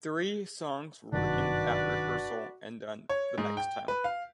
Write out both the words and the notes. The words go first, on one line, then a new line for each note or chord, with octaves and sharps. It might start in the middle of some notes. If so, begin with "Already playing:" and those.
Three songs were written at rehearsal and done the next time.
G1 F#2 C3 D#3 D4 F#4 B4 D5
C#5
G#2
G5
B4
F5